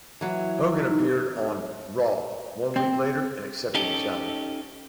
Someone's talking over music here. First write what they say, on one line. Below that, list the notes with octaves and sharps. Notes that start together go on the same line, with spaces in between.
Hogan appeared on "Raw" one week later and accepted the challenge.
E3 F#3
D#4
C4
C#4 D#4 G4 A4